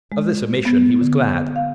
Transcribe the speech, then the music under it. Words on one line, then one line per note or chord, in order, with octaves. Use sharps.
Of this omission he was glad.
G#3
B3
D3
F5